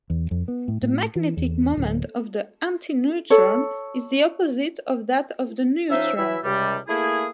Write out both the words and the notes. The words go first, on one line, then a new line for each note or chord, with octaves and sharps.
The magnetic moment of the antineutron is the opposite of that of the neutron.
E2
F2
B3
A2
A2
E3
E2
D1
A4 C#5
F3 C#4 D#4 C5 E5
E3 F#3 E4 E5
C#2 C3 G3
A3 A#3 E4 G#4